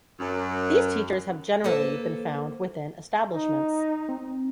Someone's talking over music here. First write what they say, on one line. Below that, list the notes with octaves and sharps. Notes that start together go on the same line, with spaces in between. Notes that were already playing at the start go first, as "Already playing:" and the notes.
These teachers have generally been found within establishments.
F#2
A#3 A4 B4 C5
D#4
C4